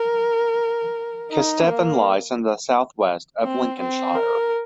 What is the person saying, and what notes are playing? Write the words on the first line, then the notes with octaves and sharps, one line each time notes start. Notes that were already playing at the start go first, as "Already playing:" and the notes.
Kesteven lies in the south-west of Lincolnshire.
Already playing: A#4
D#4
A#3
C4
C4
A#4